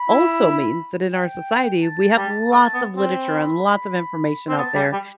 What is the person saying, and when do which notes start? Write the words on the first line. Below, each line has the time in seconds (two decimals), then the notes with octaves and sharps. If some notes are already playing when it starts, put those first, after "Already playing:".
also means that in our society, we have lots of literature and lots of information out there
Already playing: B5
0.10 E4
1.13 G5
1.82 A5
2.17 G3 A5
2.51 A3 A5
2.74 B3
2.97 C4
3.20 B5
4.49 C4
4.58 B3 A5
4.75 G3
4.93 G3